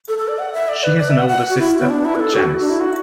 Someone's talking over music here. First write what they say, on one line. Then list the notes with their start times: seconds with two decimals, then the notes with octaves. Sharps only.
She has an older sister, Janis.
0.08 A4
0.18 A4
0.28 D5
0.39 F#5
0.53 E5
0.69 D5
0.84 B4
0.99 D5
1.09 E5
1.19 F#5
1.29 F#5
1.49 F#4
1.59 E4
1.79 B3
1.89 D4
2.05 E4
2.15 B4
2.20 A4
2.34 F#4
2.60 D4
2.70 E4
2.80 F#4